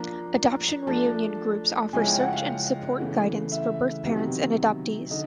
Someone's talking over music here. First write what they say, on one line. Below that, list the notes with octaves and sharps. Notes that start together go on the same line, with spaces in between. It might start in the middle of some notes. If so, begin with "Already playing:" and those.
Adoption Reunion groups offer search and support guidance for birth parents and adoptees.
Already playing: F3 A#3 D4 A#5
F3 A3 D4 A5
C#3 F3 G#3 C#4 E4 G#5
G5
F#5
F5
C#3 E3 A3
E5
C3 D#3 F#3 B3
D3 D#4 D#5